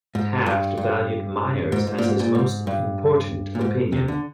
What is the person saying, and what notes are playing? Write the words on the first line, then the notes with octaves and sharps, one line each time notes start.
Taft valued "Myers" as his most important opinion.
G#2
G2
G2
G#2
G#2
A#2
G#2
A#2
G#2
G2
A#2
G#2
C3
D3